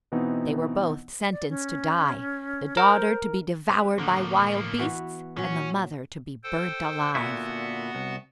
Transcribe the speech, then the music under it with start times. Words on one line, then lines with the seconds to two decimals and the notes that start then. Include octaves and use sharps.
They were both sentenced to die--the daughter to be devoured by wild beasts, and the mother to be burnt alive.
0.12 B2 E3 B3 C4 D#4
1.31 D5
1.49 C#4
2.77 A#4 C5
3.68 C4 B4
3.99 A2 D3 A#3
4.79 E3 B3 F#4
5.37 A#2 F#3 C#4
6.44 A4 C5 G5
7.15 A#2 D3 B3 E4 F#4 F#5
7.95 C2